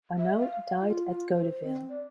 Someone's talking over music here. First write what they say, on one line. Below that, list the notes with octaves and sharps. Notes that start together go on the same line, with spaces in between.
Arnault died at Goderville.
E5
F5
F4
F4
C5
C4
D5